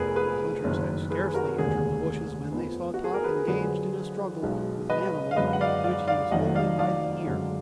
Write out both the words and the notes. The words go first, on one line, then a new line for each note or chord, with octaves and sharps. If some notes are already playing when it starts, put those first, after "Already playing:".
The hunters had scarcely entered the bushes when they saw Top engaged in a struggle with an animal which he was holding by the ear.
Already playing: F1 F2 F3 B3 G#4 A#4 B4
G#4 B4
F#1 F#2 D#3
G#4 B4
F#4 A#4
F1 D#2 D3 G#3 G#4
F2 F3 B3
F#4
G#4
A#4
G#4 B4
F2 D3 F#3 D4 G#4 B4
B1 B2 G#3 D#4
B4 D#5
F5
F#2 D3 G#3 B4 D#5
F#5
D5 F5
D5 F5
D5 F5
F1 F2 D#3 F#3 D#5 F#5
D5 F5
D5 F5
F#2 D3 G#3